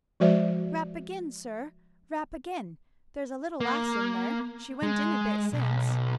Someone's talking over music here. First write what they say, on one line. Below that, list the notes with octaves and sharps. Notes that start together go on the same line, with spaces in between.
'Rap again, sir, rap again; there's a little lass in there; she went in a bit since.'
F3 G#3 F#4 C5 D5 E5
A#3
G#3
B1